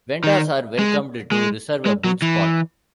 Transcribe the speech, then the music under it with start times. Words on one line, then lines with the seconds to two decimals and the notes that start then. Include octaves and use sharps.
Vendors are welcomed to reserve a booth spot.
0.24 D#3
0.79 G#3
1.32 G#3
1.86 G#3
2.04 F#3
2.22 E3